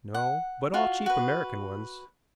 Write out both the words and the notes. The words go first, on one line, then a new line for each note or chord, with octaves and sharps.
"No, but all cheap American ones."
F#5
F4 F#4
F#4 B4